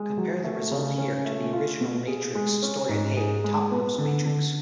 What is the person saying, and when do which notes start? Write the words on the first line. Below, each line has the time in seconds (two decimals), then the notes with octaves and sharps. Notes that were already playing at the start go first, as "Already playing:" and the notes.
Compare the result here to the original matrix stored in A, topmost matrix.
Already playing: G#3
0.18 F#3
0.44 A3
0.71 C#3
0.98 C#4
1.25 A3
1.53 F4
1.81 B2
2.07 G#4
2.35 G#3
2.62 C#4
2.89 G#2
3.17 G#4
3.44 G#3
3.71 B3
3.98 D3
4.25 D3